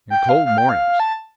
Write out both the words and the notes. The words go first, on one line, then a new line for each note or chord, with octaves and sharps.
And cold mornings.
G5
F5
F5
G5
F5
A5